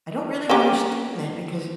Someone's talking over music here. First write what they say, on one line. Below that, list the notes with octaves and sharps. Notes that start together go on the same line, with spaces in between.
I don't really understand that because
A#3 C#4 G4